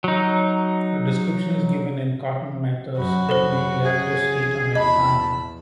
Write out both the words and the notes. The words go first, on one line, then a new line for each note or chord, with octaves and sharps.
A description is given in Cotton Mather's "Magnalia Christi Americana".
F#3 D#4
F#2 F#4 B5
F#1 C#4 A4 C5
C#3 G#4
E2 D#5 A5 B5